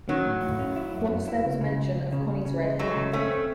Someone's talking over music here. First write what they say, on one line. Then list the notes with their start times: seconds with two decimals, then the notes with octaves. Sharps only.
Once there was mention of Connie’s red hair.
0.09 D#3 F#3 C#4
0.26 A2
0.42 A2
0.59 C#4
0.76 E4
0.94 F#2
1.11 F#2
1.28 E4
1.45 C#2
1.61 C#3
1.78 C#2
1.95 C#2
2.12 C#3
2.28 C#3
2.45 C#3
2.62 G#3
2.79 F#3 G#3 A3
2.96 C#3
3.13 A3 C4 C#4
3.31 C4